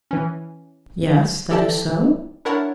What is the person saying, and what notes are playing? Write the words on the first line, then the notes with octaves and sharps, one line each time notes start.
"Yes, that is so."
E3 C#4
G4 A4 D5 E5 A5
D4 E4 A#4 C#5 F#5 A5